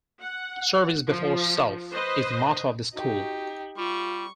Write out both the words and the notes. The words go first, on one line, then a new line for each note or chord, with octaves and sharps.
"Service Before Self" is the motto of the school.
F#5
F3
B4 C5 D#5
D#4 F#4 G4
G3 F4 C#6